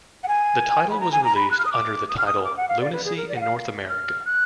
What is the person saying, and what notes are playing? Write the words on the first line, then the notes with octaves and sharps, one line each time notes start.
The title was released under the title Lunacy in North America.
F#5
G#5
B5
A#5
G#5
A#5
B5
F#6
F6
D#6
D6
D#6
F6
D#6
D6
F#5
F5
D5
B4
G#4
A#4
D5
F#5
F5
F6
F#6